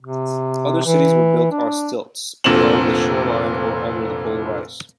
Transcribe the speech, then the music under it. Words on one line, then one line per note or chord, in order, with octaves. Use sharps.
Other cities were built on stilts along the shoreline or under the polar ice.
C3
E3
D4
F1 A#2 D3 C4 E7 F#7